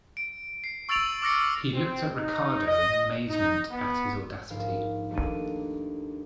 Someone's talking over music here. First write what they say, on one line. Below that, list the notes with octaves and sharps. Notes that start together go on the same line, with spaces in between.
He looked at Ricardo in amazement at his audacity.
D7
C7
C#6 E6 A6 D7 F7 F#7
D6 F6 A#6 C#7
C4
D#4
D#5
D#4
B3
A#1 G#2 A#4 F5
D#2 A3 A#3 D4 D#7